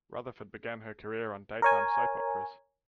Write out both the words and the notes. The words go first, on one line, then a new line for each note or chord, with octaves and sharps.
Rutherford began her career on daytime soap operas.
A#4 C#5 G#5